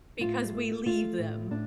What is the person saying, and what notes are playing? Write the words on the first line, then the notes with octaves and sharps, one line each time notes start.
Because we leave them.
A2 F4
A3
A3 F4
A2
A2 D4